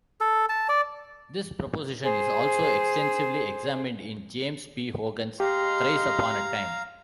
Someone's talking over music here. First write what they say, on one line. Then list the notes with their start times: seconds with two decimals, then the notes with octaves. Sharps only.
This proposition is also extensively examined in James P. Hogan's "Thrice Upon a Time".
0.21 A4
0.49 A5
0.69 D5
2.03 G#4 C5
5.40 G#3 D#4 G4 F5 A#5 C6